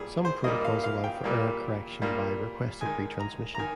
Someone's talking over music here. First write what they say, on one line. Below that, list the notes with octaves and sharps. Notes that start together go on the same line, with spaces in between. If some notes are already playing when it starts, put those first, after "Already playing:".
Some protocols allow for error correction by requested retransmission.
Already playing: A#2 G3 G#4
C5
A#2 G3 A#3 D#5
F5
F5
G5
A#2 G3 A#3
A#2 G3 A#3
D#3 G#3 G#5
A#5
A#5
D#3 G#5